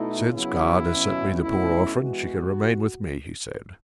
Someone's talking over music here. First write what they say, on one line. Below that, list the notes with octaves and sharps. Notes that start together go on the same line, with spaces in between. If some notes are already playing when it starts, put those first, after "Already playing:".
"Since God has sent me the poor orphan, she can remain with me," he said.
Already playing: B2 A3 D#4 E4
C#3 F#3 B3 E4
B2 F#3 C#4
B2 A3 C#4 E4
E3 G#3 B3 F#4